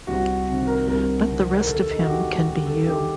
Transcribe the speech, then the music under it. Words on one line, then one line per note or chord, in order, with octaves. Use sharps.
But the rest of him can be you.
C2 F#4
C3 D#3
A#4
C2 A#4
C3 D#3
A#4
D#2 A4
D#4
F#4
D#3 G4
D#2 G4
A4
D#3 G4